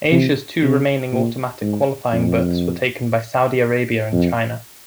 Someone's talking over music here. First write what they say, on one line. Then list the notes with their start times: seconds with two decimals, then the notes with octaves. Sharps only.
Asia's two remaining automatic qualifying berths were taken by Saudi Arabia and China.
0.12 C3
0.63 C3
1.12 A#2
1.62 G#2
2.12 F2
4.12 F2